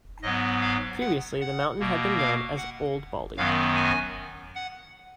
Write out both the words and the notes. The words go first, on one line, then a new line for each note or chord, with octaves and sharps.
Previously the mountain had been known as Old Baldy.
G#2 F#3 B3 D#5
F5
F#5
F#5
B2 A#3
F5
F#5
F#2 D#3 F#3 B3 F5
G#5
F#5